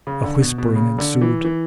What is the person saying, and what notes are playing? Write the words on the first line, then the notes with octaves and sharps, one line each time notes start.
A whispering ensued.
C#3
D3
B2
B2
B2
C#3
D3
E3
E3